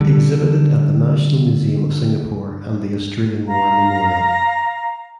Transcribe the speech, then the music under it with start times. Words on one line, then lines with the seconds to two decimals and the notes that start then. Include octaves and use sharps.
Exhibited at the National Museum of Singapore and the Australian War Memorial.
0.01 D3 G3
3.47 F5 A#5